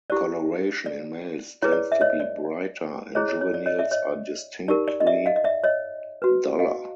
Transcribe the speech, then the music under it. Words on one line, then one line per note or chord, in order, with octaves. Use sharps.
Colouration in males tends to be brighter, and juveniles are distinctly duller.
E4 G4 C5 D5
D5
E4 G#4 B4 C#5
D5
D5 E5
C#5 D#5
D5
E4 G#4 C5 C#5 D#5
C#5
C#5
D5
C#5 D#5
D5 E5
C#5 D#5
D#4 G4 A#4 D5
D5
D#5
D5 E5
D#5 F5
D#5
D5 E5
C#5 D#5
F#4 B4
D#5 F5